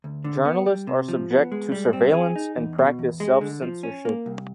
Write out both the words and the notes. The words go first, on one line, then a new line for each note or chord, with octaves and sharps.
Journalists are subject to surveillance and practice self-censorship.
D2
D3
B3
G3
C3
F3
B3
G#3
G3
C4
G#4
D#4
E2
B2
E2
G#3
D3
F3
C#4
A#3
C2